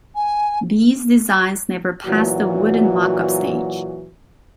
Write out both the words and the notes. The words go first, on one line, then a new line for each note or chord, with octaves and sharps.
These designs never passed the wooden mock-up stage.
G#5
A#2 E3 F#3 F#4